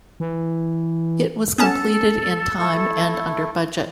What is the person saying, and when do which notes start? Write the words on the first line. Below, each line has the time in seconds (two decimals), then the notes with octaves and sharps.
It was completed in time and under budget.
0.20 E3
1.58 B3 C#4 A4 A5
2.60 A3 E4